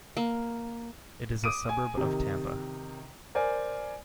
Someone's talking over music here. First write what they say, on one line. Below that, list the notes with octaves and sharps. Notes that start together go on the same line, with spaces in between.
It is a suburb of Tampa.
A#3
D6 D#6 D7 D#7
G#5
C3 D#3
A#4 C5 D5 G#5